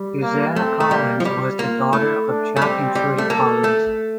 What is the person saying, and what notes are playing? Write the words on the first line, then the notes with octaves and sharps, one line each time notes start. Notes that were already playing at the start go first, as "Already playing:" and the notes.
Suzanne Collins was the daughter of Jack and Trudy Collins.
Already playing: G3
A#3
A3 C4
A3
G3 A#3
F3
G3
A#3 F4
A3 E4
D4
A3
G3 C4
G3
A3
A#3 A4
A3